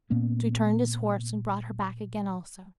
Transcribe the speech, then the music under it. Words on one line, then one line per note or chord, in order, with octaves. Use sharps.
So he turned his horse and brought her back again also.
A#2 A#3 B3 C#4